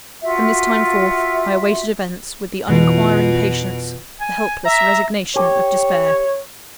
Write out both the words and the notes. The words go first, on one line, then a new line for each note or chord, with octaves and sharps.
From this time forth, I awaited events with the uninquiring patience, the helpless resignation of despair.
F4 F#4 E5
F2 B2 E3 F4
G#5
E5 A#5
G4 C#5